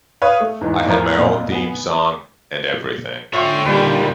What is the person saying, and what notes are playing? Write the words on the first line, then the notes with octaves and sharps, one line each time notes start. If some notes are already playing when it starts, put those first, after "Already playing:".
I had my own theme song and everything.
B4 C#5 F5 D#6
A3
E2 G#2 E3
E2 A2 E3 F3 A#4 A#5
F2 A#2 D4
B3 G#5
D3 F4 C5 C#5 E5 G5 G#5 C#6
D#2 A#2 G3 B4 D5